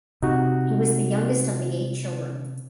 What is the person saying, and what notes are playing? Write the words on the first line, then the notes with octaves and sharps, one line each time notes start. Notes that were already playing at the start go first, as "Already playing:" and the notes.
He was the youngest of the eight children.
C3 D#4 F#4